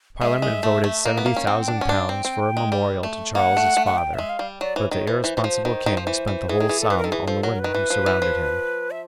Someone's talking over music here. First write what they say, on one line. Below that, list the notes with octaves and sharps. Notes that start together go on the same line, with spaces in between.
Parliament voted seventy thousand pounds for a memorial to Charles's father, but the irresponsible king spent the whole sum on the women who surrounded him.
G#3 E5
G#3
A3
A3
A#3 D#5
B3 E5
A#3
C#4 F5
C4 F#5
G5
D4
C#4 F#5
D4 F5
C4 G5
C4
G#3
G3
A3
A#3 F#5
A3
A3
F#5
G5
G#3 E5
F5
G3
F#3 D5
E3 C#5
D#3 C#5
E3 C5
E3
E3
F3
D#3
D#3
F3
E3
E3
E3 G#4
D#3
E3
A4
E3 B4
A#4
D#3 A4
E3 G#4
F3 A4
F#3 A#4
A#4
B4
D#3
E3
F3
E3
F3
E5